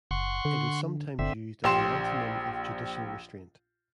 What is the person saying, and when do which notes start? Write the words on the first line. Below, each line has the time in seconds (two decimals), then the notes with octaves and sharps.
It is sometimes used as an antonym of judicial restraint.
0.11 F#1 F#5 C6 C#6
0.45 D3
1.19 G1 D3 C4 E5
1.64 A#1 G4 C6 E7